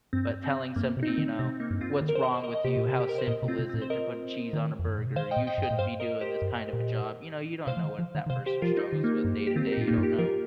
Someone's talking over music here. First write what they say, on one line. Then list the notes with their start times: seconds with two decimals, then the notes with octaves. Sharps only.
But telling somebody, you know, "What's wrong with you? How simple is it to put cheese on a burger? You shouldn't be doing this kind of a job." You know? You don't know what that person struggles with day to day. You don't know
0.13 G2 C4
0.44 C4
0.76 G2 A#3
0.97 C3
1.03 D#4
1.08 C4
1.18 D#3
1.39 C3 C4
1.60 A#3 D#4
1.71 G2
1.81 C4 F4
2.01 D#3
2.09 A#4
2.15 C5
2.23 A#4 D#5
2.34 C5
2.44 A#4 D#5
2.55 D#5
2.64 C3 G4 C5
2.77 A#2
2.88 C3
3.00 G4
3.09 A#4
3.18 C5
3.27 A#2 A#4 D#5
3.43 C3
3.48 C4 F4
3.59 C3
3.69 C4
3.74 A#2
3.82 C5
3.90 A#4 D#5
4.53 D#3
4.79 F2
4.88 G2
4.98 A#2
5.07 C3
5.16 D#3 C5 F5
5.31 D#5 G5
5.37 A#2
5.47 D#5 G5
5.58 G2
5.63 D#5 G5
5.71 A#2
5.78 G2 C5 F5
6.00 A#4 D#5
6.21 G4 C5
6.42 G2
6.73 A#2
7.67 C3 C5 F5
7.77 F3
7.83 D#3
7.99 F3
8.15 D#3
8.26 D#3
8.30 C3 C5 F5
8.46 G4 C5
8.62 F3 F4 A#4
8.77 D#4
8.90 D#3 F4
9.04 A#3 D#4
9.24 G2
9.47 G4
9.56 D#3 C4 F4
9.67 A#4
9.72 D#4 G4
9.78 A#2
9.81 F4
9.88 A#3 D#4
9.91 A#2
9.98 G2
10.03 D#4 G4
10.19 F3 F4 A#4